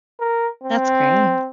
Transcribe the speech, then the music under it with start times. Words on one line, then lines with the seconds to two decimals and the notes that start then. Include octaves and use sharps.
That's great.
0.20 A#4
0.63 C4